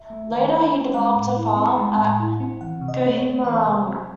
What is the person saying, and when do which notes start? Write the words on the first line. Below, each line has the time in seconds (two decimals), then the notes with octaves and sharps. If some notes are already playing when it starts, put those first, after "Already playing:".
Later he developed a farm at Kohimarama.
Already playing: E5
0.10 A3
0.31 D#3
0.53 E4
0.73 C#4
0.94 G#3 F#5
1.16 A2
1.36 E4
1.56 C4
1.78 G#3
1.98 A2
2.20 E4
2.40 C4
2.61 E3 F#5
2.81 C3
2.88 D#5
3.03 C4
3.16 C#5
3.24 A3
3.44 E3 C5
3.66 C3
3.87 C4